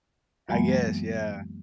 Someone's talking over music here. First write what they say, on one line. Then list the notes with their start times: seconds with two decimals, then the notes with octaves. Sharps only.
I guess. Yeah.
0.49 F#2 E3 F#3 G#3 A#3 B3